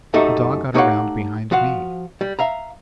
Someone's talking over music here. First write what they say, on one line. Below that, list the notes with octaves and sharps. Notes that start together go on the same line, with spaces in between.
The dog got around behind me.
F#2 G3 A3 D#4 A4 E5
A3 D#4 G4 C#5 F5 F#5
F3 F#4 F5 F#5
G3
E5 F5 A#5